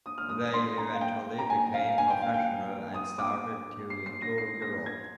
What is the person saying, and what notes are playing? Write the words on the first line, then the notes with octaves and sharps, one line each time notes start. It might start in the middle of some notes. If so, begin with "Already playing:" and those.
They eventually became professional and started to tour Europe.
D#6
F6
D#6
C6
A#5
F5
G5
A#5
G#5
F5
G#5
G5
F5
G5
D#6
D6
C7
C7
A#6
C7
A#6
G#6